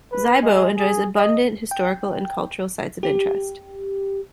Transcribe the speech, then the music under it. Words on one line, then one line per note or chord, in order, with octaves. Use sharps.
Zibo enjoys abundant historical and cultural sites of interest.
B4
G#3
G#4
D#5
G5
G4